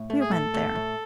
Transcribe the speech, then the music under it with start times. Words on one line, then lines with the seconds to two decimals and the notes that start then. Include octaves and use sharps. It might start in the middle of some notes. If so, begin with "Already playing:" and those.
We went there.
Already playing: A2
0.10 A3
0.20 G#4
0.31 A2 A4
0.54 A3
0.75 A2